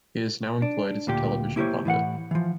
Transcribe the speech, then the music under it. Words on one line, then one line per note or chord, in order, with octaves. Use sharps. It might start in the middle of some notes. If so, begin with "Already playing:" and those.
He is now employed as a television pundit.
D4
D2 A#2 G4
A#3 E4 G4 G#4 C5 C#5
A2 E3 F5 F#5
E3 F3